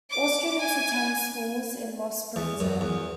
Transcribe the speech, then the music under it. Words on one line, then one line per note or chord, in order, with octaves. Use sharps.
All students attend schools in Lost Springs area.
D6
G#5
E2
F#2
E2